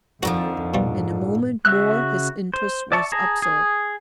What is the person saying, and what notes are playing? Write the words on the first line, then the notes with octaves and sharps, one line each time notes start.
In a moment more his interest was absorbed.
F2 D3 D#3 F3 F#4 A#5
A#1 G#2 B2 G3 F4
C#3 F#4 E5 E6 F#6
C5
D5 E5 A5 C#6
G#4 A5 A#5
G#4